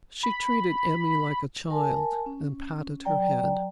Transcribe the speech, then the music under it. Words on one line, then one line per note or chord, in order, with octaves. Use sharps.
She treated Emmy like a child and patted her head.
B5
A#4 G#5 A5
C#4
F#3 D5 G5 A#5